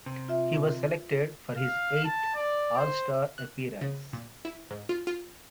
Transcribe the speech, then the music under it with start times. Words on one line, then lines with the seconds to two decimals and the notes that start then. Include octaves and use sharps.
He was selected for his eighth All-Star appearance.
0.06 C3
0.29 F4 E5
1.57 F5
2.05 A5
2.35 D5
2.77 C5
3.38 F#6
3.81 C#3
4.13 A#2
4.45 E4
4.71 G#2
4.89 F4
5.07 F4